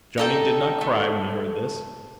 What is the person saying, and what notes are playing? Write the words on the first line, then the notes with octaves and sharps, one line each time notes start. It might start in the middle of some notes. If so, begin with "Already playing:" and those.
Johnny did not cry when he heard this.
D#4 A4 G5
A3